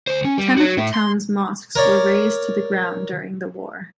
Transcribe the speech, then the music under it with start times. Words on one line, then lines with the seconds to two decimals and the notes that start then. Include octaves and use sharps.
Ten of the town's mosques were razed to the ground during the war.
0.07 D2 C5
0.25 C#4
0.38 G3
0.58 F#4 C#5
0.77 A2 E5
0.94 C6
1.76 A#4 C#5 D5